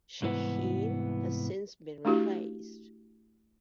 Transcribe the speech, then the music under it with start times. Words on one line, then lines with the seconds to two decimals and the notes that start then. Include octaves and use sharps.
Sheheen has since been replaced.
0.22 C2 G#2 E3 B3
2.05 A3 D4 E4 F#4 G4